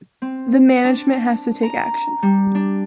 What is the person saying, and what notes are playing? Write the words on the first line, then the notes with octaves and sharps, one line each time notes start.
The management has to take action.
C4
D4
A#5
G3
D4